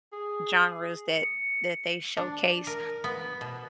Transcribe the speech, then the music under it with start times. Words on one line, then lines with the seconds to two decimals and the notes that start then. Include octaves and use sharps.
genres that that they showcase,
0.12 G#4
1.15 C#7
2.17 D4
2.67 A#4
3.04 B3
3.41 B2